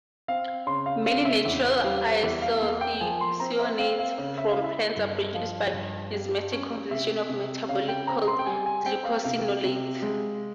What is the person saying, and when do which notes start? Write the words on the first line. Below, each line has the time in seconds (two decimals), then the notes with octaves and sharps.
Many natural isothiocyanates from plants are produced by enzymatic conversion of metabolites called glucosinolates.
0.28 C4 F5
0.67 C#3 C6
0.86 F5
1.06 C#3 F5
1.25 E5
1.45 E2 E5
1.84 G3 F5
2.23 E2 E5
2.42 F5
2.62 A#3 F5
2.81 G5
3.01 F3 G#5
3.21 C6
3.40 C4 A#5
3.59 E5
3.79 C4 F5
3.99 F5
4.18 C#3 F5
4.38 E5
4.51 F5
4.57 E4
4.64 E5
4.96 G2
5.34 F3 F5
5.73 G2
6.13 G3
6.52 C#4
6.90 C3 E5
7.29 C3
7.69 C#3 F5
7.88 G5
8.07 C4 A#5
8.28 C6
8.39 G5
8.46 G3 G#5
8.66 G#5
8.86 C4 G5
9.05 F5
9.24 C3 F5
9.64 C3
10.02 G#3